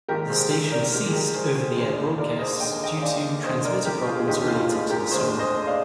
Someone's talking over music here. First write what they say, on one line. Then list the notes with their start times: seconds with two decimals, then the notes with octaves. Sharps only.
The station ceased over-the-air broadcasts due to transmitter problems related to the storm.
0.09 A#1 G#2 D#3 G4 A#4
0.29 G#4 C5
0.50 G4 A#4
0.71 A#4 D5
0.92 A#1 G#2 D#3 G4 A#4
1.08 G#4
1.13 G4 A#4
1.35 G#4 C5
1.55 G#4 C5
1.76 F1 D#2 D3 G#4 C5
2.18 A#4 D5
2.39 C5 D#5
2.60 F1 D#2 D3 G5
2.72 G#5
2.83 D#5 G5
3.02 D5 F5
3.43 F1 D#2 D3 C5 D#5
3.65 A#4 D5
3.85 G4 A#4
4.07 F4 G#4
4.19 G#4
4.27 F1 D#2 D3 D#4 G4
4.49 F4
4.69 F4 G#4
4.90 G4 A#4
5.11 F1 D#2 D3 G#4 C5
5.39 C5 D#5
5.67 D5 F5